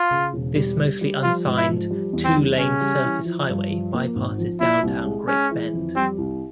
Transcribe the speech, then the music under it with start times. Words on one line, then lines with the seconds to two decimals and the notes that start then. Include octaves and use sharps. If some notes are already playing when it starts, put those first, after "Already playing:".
This mostly unsigned, two-lane surface highway bypasses downtown Great Bend.
Already playing: F4
0.11 C#3
0.33 E1
0.55 G3
0.78 G3
1.01 G3
1.23 F3 F4
1.45 G#2
1.57 E4
1.69 F3
1.91 G3
2.13 E2
2.25 C4
2.36 G3
2.58 C#3 C#4
2.81 G3
3.03 E3
3.25 F3
3.49 G2
3.71 F3
3.94 A#3
4.15 G#1
4.38 F3
4.60 A#2 E4
4.83 C2
5.05 G#3
5.28 G#3 C#4
5.51 E3
5.74 F2
5.95 G3 C4
6.18 C2